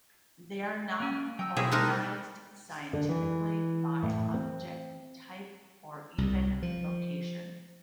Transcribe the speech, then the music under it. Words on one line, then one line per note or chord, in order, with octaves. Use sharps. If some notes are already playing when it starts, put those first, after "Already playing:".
They are not organized scientifically by object type, or even by location.
A#3 C#4
F#3 G5 E6
B2 E4 G4 G#4 A#4 C5 E5
A3 C4 D#4 A#4 F#6
D3
E3
A2
C4
C2
F3